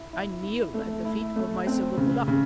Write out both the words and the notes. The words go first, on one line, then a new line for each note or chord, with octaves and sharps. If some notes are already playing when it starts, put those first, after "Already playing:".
I kneel at the feet of my silver Buddha.
Already playing: E4
E4
E4
A3
E4
A3
C4
C#3
C#3